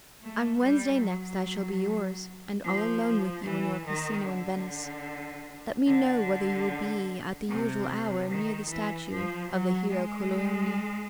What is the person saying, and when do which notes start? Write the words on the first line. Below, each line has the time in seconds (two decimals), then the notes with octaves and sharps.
On Wednesday next I shall be yours, and all alone with you in your casino in Venice; let me know whether you will be at the usual hour near the statue of the hero Colleoni.
0.22 A3
0.62 G3
1.02 F#3
2.64 F3
3.45 E3
3.85 D#3
4.26 D3
5.87 D3
7.49 C3
8.30 D#3
8.70 E3
9.10 F3
9.51 F#3
9.91 G#3